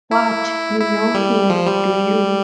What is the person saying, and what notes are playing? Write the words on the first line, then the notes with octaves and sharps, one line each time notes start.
What, you know him, do you?
E4
E4
G3
F3
G3